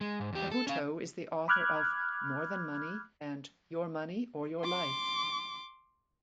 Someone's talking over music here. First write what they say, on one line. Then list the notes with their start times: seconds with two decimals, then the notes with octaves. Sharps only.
Cavuto is the author of "More Than Money" and "Your Money or Your Life".
0.01 G#3
0.20 G#2
0.33 E2 G4
0.52 A4
0.67 C#4 F5
1.48 B5 D6 F6 F#6 G#6
4.61 C6 D6